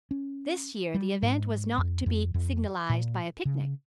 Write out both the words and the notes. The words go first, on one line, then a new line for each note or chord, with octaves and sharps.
This year the event was not to be signalised by a picnic.
C#4
G3
G#2
F2
F2
F2
A#2
C#3